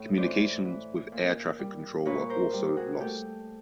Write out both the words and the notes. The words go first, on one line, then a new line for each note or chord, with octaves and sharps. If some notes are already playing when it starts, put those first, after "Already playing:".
Communications with air traffic control were also lost.
Already playing: A2
E3 C5 D5
E3
A#2
G3
A#2 B4 C#5
A#4 C5
G3
F#4 G#4
A3 G4 A4